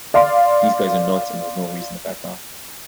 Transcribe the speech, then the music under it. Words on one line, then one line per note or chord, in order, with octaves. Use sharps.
These guys are nuts and there's no reason to back off.
D5 F5 C6